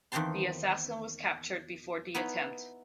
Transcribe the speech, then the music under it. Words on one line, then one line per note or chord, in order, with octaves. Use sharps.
The assassin was captured before the attempt.
E2 D#3 A#3 C4 A5 C6
B3 D#4 E4 C#5